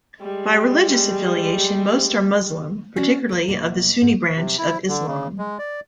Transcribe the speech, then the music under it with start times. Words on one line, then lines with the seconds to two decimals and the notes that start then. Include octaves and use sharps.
By religious affiliation, most are Muslim, particularly of the Sunni branch of Islam.
0.21 G3 G#3
2.96 C#4 F#4 C#5 D5
3.29 A4 A#5
3.49 D2 B2 A#3
4.01 G#2
4.36 C3
4.58 E4
4.88 D3
5.07 C#3
5.38 G#3
5.59 D5